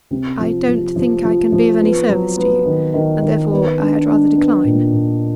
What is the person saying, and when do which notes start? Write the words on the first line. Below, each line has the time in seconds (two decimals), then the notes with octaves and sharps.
"I don't think I can be of any service to you, and therefore I had rather decline."
0.11 C3
0.39 F3
0.67 F3
0.96 F3
1.24 F3
1.52 F3
1.81 B3
2.09 F#3
2.37 B3
2.66 D#3
2.94 D#3
3.22 D#3
3.51 B3
3.79 D4
4.08 D4
4.36 B3
4.64 A#2
4.93 A#2